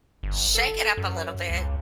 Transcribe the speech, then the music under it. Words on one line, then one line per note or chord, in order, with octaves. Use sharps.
shake it up a little bit.
G1
A4
F#2
C#2